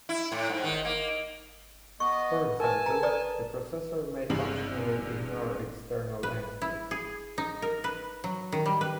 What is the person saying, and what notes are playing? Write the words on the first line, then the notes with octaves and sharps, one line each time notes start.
For example, a processor may optionally ignore external entities.
E4
A2
G#2
D#3
A#3
B3 D#5 C#6
A#4 B4 G#5 A5
A#4 A#5
A4 B4 D5
E2 G2 C3 G#3 F#7
B4
E4
G#4
D#4
A#4
B4
F#3
D#3
G3
B4